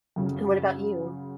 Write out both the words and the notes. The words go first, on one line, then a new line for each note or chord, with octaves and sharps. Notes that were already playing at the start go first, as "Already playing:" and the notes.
And what about you?
F#2 C#3 F#3